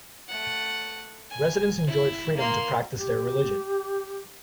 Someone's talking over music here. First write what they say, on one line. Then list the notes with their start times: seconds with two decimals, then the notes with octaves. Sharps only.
Residents enjoyed freedom to practice their religion.
0.28 A3 F#5
1.31 G#5
1.87 E4
2.37 A#3 C6
2.95 G4